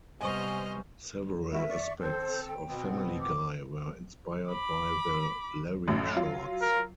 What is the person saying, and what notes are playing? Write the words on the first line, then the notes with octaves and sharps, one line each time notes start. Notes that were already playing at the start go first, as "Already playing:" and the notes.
Several aspects of "Family Guy" were inspired by the "Larry shorts".
C3 G3 B3 C5 D#5 G#5 C#6 F6
G#3 E4 F#4 E5
D5 C#6
C4 A4 C5
G5
B2 B3 C4
D6
B5 D6
A1 F#2 A2
F#3 F4
A#4